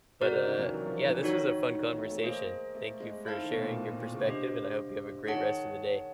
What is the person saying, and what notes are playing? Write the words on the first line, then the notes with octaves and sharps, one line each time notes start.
But, uh, yeah, this was a fun conversation. Thank you for sharing your perspective, and I hope you have a great rest of the day.
C3 F#4 A#4 D5
C#3
D#3
E3
F#3
F3
D#3
E3
D#3 D#4 F#4 A4 C#5
D#3
D#3
A3
A3
A#3 G#4 C5 D#5
A3
G#3
E4 A4 C5 F5 A5
D#3
B2
A2
A#2
A2
A#2
A#2
C#3
D3 G4 C5 D#5
D#3 G#4 C#5 F#5 A5